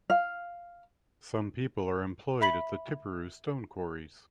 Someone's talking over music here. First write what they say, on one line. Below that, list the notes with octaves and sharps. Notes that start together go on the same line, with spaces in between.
Some people are employed at the Tiperu Stone Quarries.
F5
E5 B5 B6 F#7